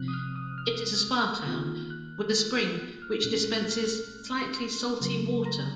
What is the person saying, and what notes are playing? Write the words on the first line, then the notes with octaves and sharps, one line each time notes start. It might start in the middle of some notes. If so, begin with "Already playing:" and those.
It is a spa town, with a spring which dispenses slightly salty water.
Already playing: C3 F3 C4 F#6
D#6
F6
D#6
F6
D#3 A#3 F4
F#6
F#6
F6
A#2 G#3 C#4 F#6
F#6
F6
C6
C#3 F#3 A#3
A#5